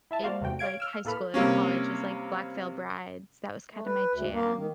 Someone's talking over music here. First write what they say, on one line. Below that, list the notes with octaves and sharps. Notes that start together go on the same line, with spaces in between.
in, like, high school and college was, like, Black Veil Brides. That was kinda my jam.
E4 E5 A5
A#3 F#4 C5 D5 F5
E2 C3 A3 F#4 G5
C#5 F5 G#6 D7
E6 F6
A2 A#3 A4 B4 B5 F6
C3 G3 A#3 C#4
A3
B4
D2
A#3
D#3